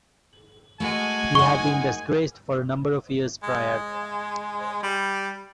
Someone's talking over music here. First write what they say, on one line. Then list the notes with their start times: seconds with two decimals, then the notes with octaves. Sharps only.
He had been disgraced for a number of years prior.
0.80 G#3 A3 F#4 G#5
1.35 F#2 D#4 F#5 C#6
3.43 G#3
4.83 G3